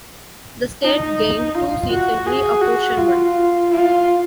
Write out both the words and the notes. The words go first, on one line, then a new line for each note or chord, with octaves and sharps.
The state gained two seats in reapportionment.
D#4
F4
F#4
G#4
F#4
F4
F4